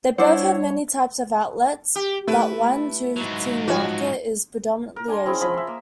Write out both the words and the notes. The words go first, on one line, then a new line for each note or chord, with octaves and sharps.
They both have many types of outlets, but one, Tooting Market, is predominately Asian.
G3 D4 E4 C5 C#5 F#5 D6
G4
A3 E4 B4
G#2 F#3
F3 F#4 C#5
A#4
D4 G#5 A#5 C6
C4 C#4 E4 G#4
F3 D#5 B5
E5 C6
A#3